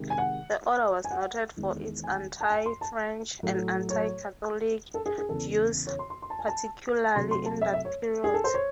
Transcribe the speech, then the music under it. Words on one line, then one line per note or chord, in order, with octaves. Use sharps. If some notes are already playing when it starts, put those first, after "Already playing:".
The Order was noted for its anti-French and anti-Catholic views, particularly in that period.
Already playing: C3 D#3 G#3
G#5
F#5
G#5
F#5
E2 D#3 G#3
G#5
A5
G#5
C6
A5
A2 F#3 A3
C#5
A4
G#4
G#4
E2 C#3 E3 A4
C#5
C6
C6
C6
A5
G#5
A5
C3 F#3 A3 C6
C6
A5
E5
E5
C#5
G#4
A4
C5
C#5